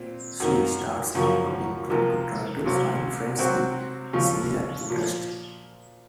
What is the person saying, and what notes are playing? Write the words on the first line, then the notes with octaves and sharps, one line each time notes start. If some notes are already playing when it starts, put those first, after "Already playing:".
She starts up a book club to try to find friends with similar interests.
Already playing: A#2 C4
F#2 D#3 A#3
F#2 C#3 F3 A#3
C3 F3 A#3 F4
C2 C3 F#3
C3 F#3 C4 F#4
D#2 C#3 F3
A#2 F3